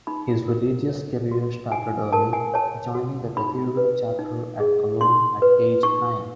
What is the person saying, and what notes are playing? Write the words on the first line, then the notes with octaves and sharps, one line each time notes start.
His religious career started early, joining the cathedral chapter at Cologne at age nine.
D#4 B5
A#4
C#5
F#4
D#4 G#5
A#4 A5
G#5
C#5 A5
F#4
D#4 B5
B4
D#4
G#4
D#4 C6
B4
D#4 C#6